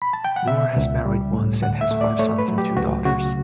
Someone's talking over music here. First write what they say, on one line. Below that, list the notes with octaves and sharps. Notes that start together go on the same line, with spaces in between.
Noor has married once and has five sons and two daughters.
B5
A5
G5
F#5
B2 E5
C#2
G3
A2
D2 F#5
E5
A3
D5
A3 C#5
B4
F#3
G4
C#2 F#4
C#3 F#4